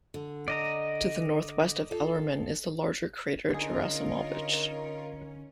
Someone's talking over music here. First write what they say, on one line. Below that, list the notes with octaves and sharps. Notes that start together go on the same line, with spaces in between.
To the northwest of Ellerman is the larger crater Gerasimovich.
D3
D5 D#5 A#5
F4 A4
D3 C#4 D#4 F4 G#4 A#4